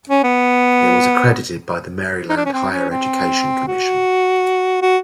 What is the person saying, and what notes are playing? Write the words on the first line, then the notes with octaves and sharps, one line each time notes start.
It was accredited by the Maryland Higher Education Commission.
C#4
B3
D#4
D4
C#4
C4
C#4
C4
F#4
F#4